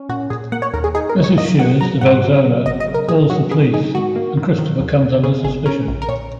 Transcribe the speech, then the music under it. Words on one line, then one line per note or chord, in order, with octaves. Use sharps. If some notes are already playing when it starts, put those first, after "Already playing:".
Mrs Shears, the dog's owner, calls the police, and Christopher comes under suspicion.
Already playing: C#4
A#2 F#4
A#2 G#4
A#3 F#5
C#5
D#2 A#4
G#4
D#4 G#4
A#4
A#2
C#5
A#3 D#5
A#3 F#5
F#3 A#5
G#2 F#5
F#3
F#3
G#1 D#5
D#5
C#3
A#4
A#2 G#4
F#3 F#4
C#3 G#4
D#4 G#4
G#2 F#4
A#3
D#3
D#3
D#2
D#2
C#3 G#4
G#1 G#4
C#4 A#4
A#1
A#4
A#2 C#5